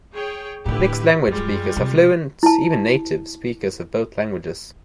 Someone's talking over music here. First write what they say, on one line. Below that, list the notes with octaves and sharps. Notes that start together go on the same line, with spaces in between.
Mixed language speakers are fluent, even native, speakers of both languages.
G#4 C#5 G5
A2 D3 E4 G4 B4
F#2 G3 G#3 F4
C3
E4 A5